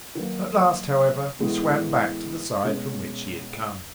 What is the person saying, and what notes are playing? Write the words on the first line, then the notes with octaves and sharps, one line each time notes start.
At last, however, he swam back to the side from which he had come.
D#3 F#3 A#3
A2 E3 G#3 B3 E4
B2 G#3 C#4